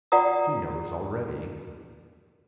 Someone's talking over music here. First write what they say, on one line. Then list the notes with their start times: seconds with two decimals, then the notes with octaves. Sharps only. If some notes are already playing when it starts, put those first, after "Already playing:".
He knows already.
0.12 F4 D5 F#5 G5 A#5 D#6